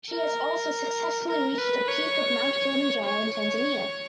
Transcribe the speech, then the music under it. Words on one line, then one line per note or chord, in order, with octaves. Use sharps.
She has also successfully reached the peak of Mount Kilimanjaro in Tanzania.
A#4
A#4
B4
C#5
C#5